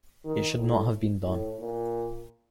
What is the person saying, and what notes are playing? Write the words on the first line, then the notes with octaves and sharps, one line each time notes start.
It should not have been done.
D#3
A2
A2
A#2